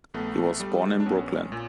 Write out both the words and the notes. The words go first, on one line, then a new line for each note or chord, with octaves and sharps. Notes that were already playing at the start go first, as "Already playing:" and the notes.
He was born in Brooklyn.
A#1 A3 B3
G3
D4
A#1 B3 C#4
A#2